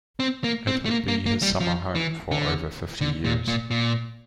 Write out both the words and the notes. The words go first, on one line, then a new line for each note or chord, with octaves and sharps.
It would be his summer home for over fifty years.
C4
A#3
C4
A3
A#3
A#3
A#3
G3
F3
E3
D3
D3
A#2
A#2
A#2